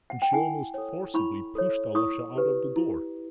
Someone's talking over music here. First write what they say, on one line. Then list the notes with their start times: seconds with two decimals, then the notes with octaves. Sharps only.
And she almost forcibly pushed Alyosha out of the door.
0.10 F#5
0.22 G5
0.33 E4 F#5 G#5
0.74 A4 C#5
1.14 E4 B5 C#6
1.55 A4 C#5
1.95 E4 C#6 D#6
2.36 G4 B4
2.76 E4